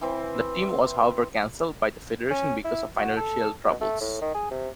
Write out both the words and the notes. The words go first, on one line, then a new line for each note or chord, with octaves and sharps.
The team was however cancelled by the federation because of financial troubles.
E3 C4 E4
C#4
E4
F#4
A4
B2
A3
A2
D#3
G#4
C3